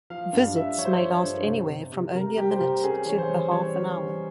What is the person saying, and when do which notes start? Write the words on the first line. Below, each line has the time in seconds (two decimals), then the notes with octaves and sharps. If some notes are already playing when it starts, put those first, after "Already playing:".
Visits may last anywhere from only a minute to a half an hour.
0.10 F3 F5
0.33 G2
0.55 G2 E5
0.77 F3 C#5
0.85 C5
0.93 C#5
1.01 F3
1.13 C#5
1.23 G2
1.46 C3
1.69 C3
1.92 C3
2.14 C3 A#4
2.37 G3 G4
2.51 C5
2.60 C3 A#4
2.83 C#4 G#4
3.06 E3 C#5
3.18 C5
3.29 G3
3.51 G3 C#5
3.74 C#4
3.98 G3